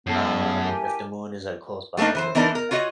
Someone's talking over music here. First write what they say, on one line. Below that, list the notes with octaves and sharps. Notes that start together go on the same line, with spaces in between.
um, if the Moon is, like, close by or whatever.
F#2 B3 E4 A4
A3 G#4
G4 A#4 G#5
G3 A3 A#3 D4 D#4
E3 B4 C5
E3 B3 D4 D#4 A#4 D5
A#4
F4 F#4 C#5 D#5